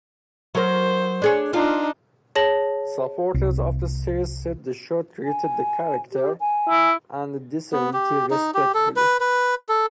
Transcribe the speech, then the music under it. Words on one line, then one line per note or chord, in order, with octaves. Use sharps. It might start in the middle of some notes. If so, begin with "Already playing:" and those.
Supporters of the series said the show treated the character and the disability respectfully.
F#3 A#4 C5
D4 G#4 C#5
D4 D#4 F4 F5
G#4 C#5 A5 A#6 F#7
C2
G#5
G4
G#5
E4
B3
G4
D#4
G4
A4
B4
B4
A4